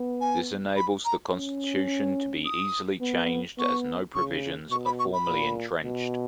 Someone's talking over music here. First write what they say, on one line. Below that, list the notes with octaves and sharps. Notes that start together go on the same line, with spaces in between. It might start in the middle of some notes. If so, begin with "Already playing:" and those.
This enables the constitution to be easily changed as no provisions are formally entrenched.
Already playing: B3
G#5
B5
A#5
C#4
D#6
B3
B3 C#6
C#3 C#6
B2 C#6
B5
C#6
B5
A#2
B2